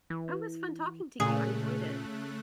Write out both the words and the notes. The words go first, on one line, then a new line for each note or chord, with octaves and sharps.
It was fun talking to you, I enjoyed it.
E3
A#2 C#3 A3 G#4 F#6